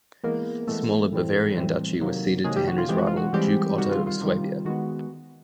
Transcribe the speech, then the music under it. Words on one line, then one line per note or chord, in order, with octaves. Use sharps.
The smaller Bavarian duchy was ceded to Henry's rival Duke Otto of Swabia.
E3 G#3 A#3 B3 A#4
E3 G#3 A3 B3 A4
A2 E3 G3 C4
A2 E3 G3 C4
C3 D#3 F#3 A#3
C3 D#3 F#3 G#3 A#3 G#4
G3 G4
F#4
F4
E3 G#3 C4 G4
F#4
F4
F#4
E3 G3 G#3 C4 G4
C3 D#3 G3 F#4
F4
F4
C3 D#3 G3
D#3 G#3 B3 F#4